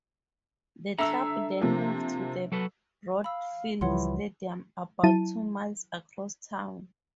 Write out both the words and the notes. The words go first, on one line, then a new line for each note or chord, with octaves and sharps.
The club then moved to the Broadfield Stadium, about two miles across town.
D4 A4 E5 A#5 E6
C3 F3 A#3
F#3 A4 B4
F5 B5 E6
C#2 E3 F3 G3 C#5 F#5 C6
F#3 E4 A5 D#7